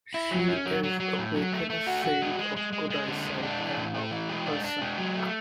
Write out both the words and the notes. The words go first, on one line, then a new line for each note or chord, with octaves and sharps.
She is a patroness saint of good eyesight, and of Alsace.
E4
F#3
C#4
F#3
F#3
F#3
A2
F#3
A3
A3
F#4
F#4
G#3
G#3
G#3
G#3
G#3
D3
G#3
D4
E3
A2
A3
E3
G#3
D4
D4
G#3
F#3
A3